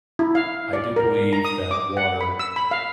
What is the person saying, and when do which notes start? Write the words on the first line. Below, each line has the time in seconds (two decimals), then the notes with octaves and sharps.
I do believe that water
0.19 E4
0.35 F5
0.73 D5
0.96 A#4
1.33 A#5
1.45 D#6
1.71 D6
1.97 F#5
2.21 B5
2.39 E6
2.56 B5
2.71 F5